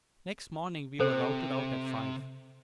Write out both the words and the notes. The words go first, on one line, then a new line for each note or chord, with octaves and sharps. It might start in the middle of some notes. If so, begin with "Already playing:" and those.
Next morning we were routed out at five.
C3 A4 C5